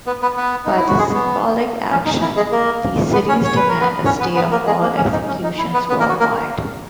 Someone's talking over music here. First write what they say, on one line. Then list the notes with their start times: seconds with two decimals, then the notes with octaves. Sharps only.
By this symbolic action, these cities demand a stay of all executions worldwide.
0.06 B3 B4
0.22 B3 B4
0.37 B3 B4
0.65 D#4
0.77 E4
0.88 F#4
0.98 G#3 G#4
1.14 B3
1.91 C#4
2.05 D#4
2.22 E4
2.36 G#3 G#4
2.51 A#3 A#4
3.13 B3 B4
3.28 C#4 C#5
3.44 C#5
3.56 B4
3.68 A#4
3.80 B3 B4
4.05 C#4 C#5
4.20 B3 B4
4.35 B3 B4
4.51 A#3 A#4
4.66 G#3 G#4
4.82 A#3
4.96 C#4
5.12 D#4
5.28 C#4
5.43 D#4
5.58 E4
5.73 B3 B4
5.89 B3 B4
6.00 A#3 A#4
6.09 F#4
6.19 A#3 A#4